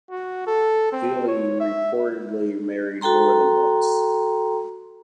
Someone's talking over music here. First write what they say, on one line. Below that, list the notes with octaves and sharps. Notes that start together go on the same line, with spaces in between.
Thiele reportedly married more than once.
F#4
A4
C4
C#5
E5
F#4 A4 G5 A#5 C6